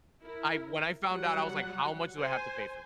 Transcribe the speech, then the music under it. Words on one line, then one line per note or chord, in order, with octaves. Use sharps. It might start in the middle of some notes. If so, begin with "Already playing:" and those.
I when I found out, I was like, "How much do I have to pay for this?"
E4 A#4
F#3 G3 F#5
C5 G#5